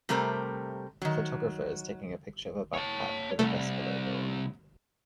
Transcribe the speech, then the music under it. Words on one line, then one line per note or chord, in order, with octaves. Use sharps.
A photographer is taking a picture of a backpack with a Vespa logo on it.
C3 G3 A3 G4 A#4 C5
D#3 F#3
C#5 A5
C2 A3